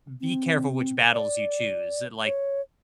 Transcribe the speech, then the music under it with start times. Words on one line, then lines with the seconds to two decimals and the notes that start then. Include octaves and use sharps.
be careful which battles you choose. Like,
0.21 C4
1.13 D5
2.25 C#5